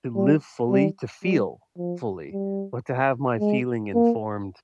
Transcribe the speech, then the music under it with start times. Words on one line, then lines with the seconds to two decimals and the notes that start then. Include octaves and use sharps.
to live fully, to feel fully, but to have my feeling informed
0.16 G3
0.70 G3
1.24 G3
1.78 F3
2.33 G3
3.40 G#3
3.95 A#3